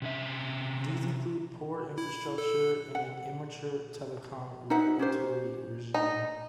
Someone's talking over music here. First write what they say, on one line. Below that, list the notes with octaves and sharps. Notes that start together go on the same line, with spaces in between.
These include poor infrastructure and an immature telecom regulatory regime.
C3 C#4 E5
E4
A4
F#5
D#4 C5 E5 F#5
C#4 G4 C5
D#4